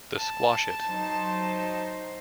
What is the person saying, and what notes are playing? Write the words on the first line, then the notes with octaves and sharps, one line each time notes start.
The Squash It!
A5
F#3 D#4 C5